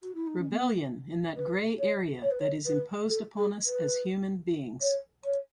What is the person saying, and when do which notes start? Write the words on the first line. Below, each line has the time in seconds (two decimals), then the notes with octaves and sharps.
Rebellion in that grey area that is imposed upon us as human beings.
0.02 F#4
0.15 E4
0.27 D#4
0.38 C#4
0.50 B3
1.36 B4
1.79 C#5
2.23 C#5
2.31 B4
2.40 C#5
2.66 B4
3.09 A4
3.37 G#4
3.66 B4
4.81 C#5
5.24 C#5